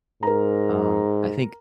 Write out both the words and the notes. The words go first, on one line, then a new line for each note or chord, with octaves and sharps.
Um, I think
G#2 A#4 A#5